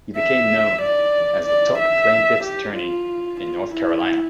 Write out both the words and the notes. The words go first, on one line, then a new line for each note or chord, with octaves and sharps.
He became known as the top plaintiffs' attorney in North Carolina.
E5
D5
D5
E5
G4
F4
F4
E4